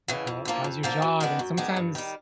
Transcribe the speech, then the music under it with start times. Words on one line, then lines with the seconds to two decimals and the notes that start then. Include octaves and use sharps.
uh, "How's your job?" and sometimes,
0.08 C#3 E3
0.27 F2
0.45 D3 F3 A#3
0.64 F2
0.83 D3 F3 A#3
1.02 F#2
1.20 D#3 G#3 B3 D4
1.39 F#2
1.57 D#3 G#3 B3 D4
1.76 G2
1.95 D#3 G3